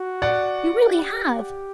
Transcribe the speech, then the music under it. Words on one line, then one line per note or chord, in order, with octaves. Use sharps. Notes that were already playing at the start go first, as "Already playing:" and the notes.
We really have.
Already playing: F#4
D5 F#5
G4
G4